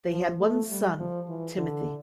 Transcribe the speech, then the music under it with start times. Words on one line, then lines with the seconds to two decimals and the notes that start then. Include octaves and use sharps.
They had one son, Timothy.
0.11 F3
0.40 A3
0.70 G3
1.00 F3
1.28 E3
1.58 D3